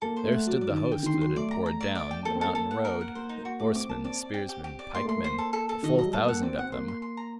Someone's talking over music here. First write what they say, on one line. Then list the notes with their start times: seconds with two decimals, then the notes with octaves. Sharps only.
There stood the host that had poured down the mountain road, horsemen, spearsmen, pikemen--a full thousand of them.
0.02 A#3 A4
0.17 C5
0.24 A3
0.32 F#5
0.47 F#3 D5
0.61 D5
0.69 D#3
0.76 D5
0.91 D3 G5
1.03 D#3
1.06 C6
1.14 D#3
1.21 F#3 C6
1.36 A3 D5
1.51 A#5
1.66 A#5
1.81 D5
1.95 D5
2.11 G5
2.25 A#3 A4
2.36 C4
2.41 A4
2.47 A#3
2.55 A4
2.71 F#5
2.85 A#4
3.01 F#5
3.15 A#3 C5
3.29 D#4
3.38 A#3
3.45 F#4
3.60 A3 D6
3.75 C4 D6
3.89 A#3 A5
4.04 C4 D5
4.20 D5
4.34 G5
4.49 G4
4.64 G4
4.79 D5
4.95 A#3 C6
5.05 A3 C6
5.17 A#3
5.24 C5
5.38 A4
5.53 A4
5.69 A4
5.83 D#3 D#5
5.94 F#3 D#5
6.06 G3
6.13 A#3 A4
6.28 A#3 F#5
6.42 C4 D5
6.58 C4 F#5
6.72 A#3 C6
6.88 C6
7.02 C6
7.17 A#5